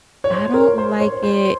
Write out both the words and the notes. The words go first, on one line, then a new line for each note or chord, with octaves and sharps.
I don't like it
C#5
C5
A#4
C5
C#5
C5